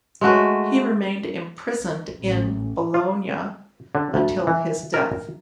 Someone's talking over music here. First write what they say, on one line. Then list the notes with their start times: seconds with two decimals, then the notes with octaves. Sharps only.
He remained imprisoned in Bologna until his death.
0.21 G#3 A3 F#4 B4
2.20 A1
2.94 F4
3.95 D3
4.14 D2
4.47 E3
4.94 A#4